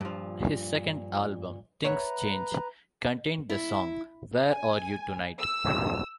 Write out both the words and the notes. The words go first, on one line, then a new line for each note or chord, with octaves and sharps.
His second album, "Things Change", contained the song "Where Are You Tonight".
G2 A#2 F3
B4 C#5 E5 F#5 A#5
E4
G#5
E6